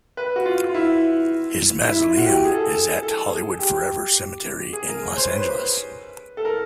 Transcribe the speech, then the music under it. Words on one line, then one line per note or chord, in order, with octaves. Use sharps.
His mausoleum is at Hollywood Forever Cemetery in Los Angeles.
B4
F#4
F4
F4
E4
E4
F4
F#4
G4
G#4
A4
G#4
A4
A4
G#4
G4
G#4
A#4
C#5
C5
B4
C5
B4
A4
A#4